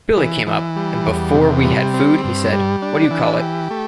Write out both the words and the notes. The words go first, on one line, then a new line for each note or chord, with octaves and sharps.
Billy came up, and before we had food he said-What do you call it.
E3
E3
G3
E2
C3
G3
C4
G2
G3
D4
E3
G4
A3